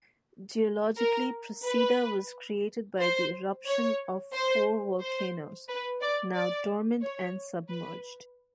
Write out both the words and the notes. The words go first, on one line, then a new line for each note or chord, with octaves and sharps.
Geologically, Procida was created by the eruption of four volcanoes, now dormant and submerged.
A#4
B4
C5
C#5
C5
C5
B4
D5
D5
C#5
B4